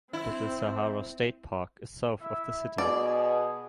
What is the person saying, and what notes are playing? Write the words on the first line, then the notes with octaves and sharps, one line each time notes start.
Little Sahara State Park is south of the city.
C4 E4
E4 E5
B2 G#4 D5